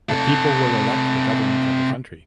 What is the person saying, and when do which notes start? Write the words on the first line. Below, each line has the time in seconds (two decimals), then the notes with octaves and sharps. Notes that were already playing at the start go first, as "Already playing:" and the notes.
The people will elect the government of the country.
0.10 C3 A4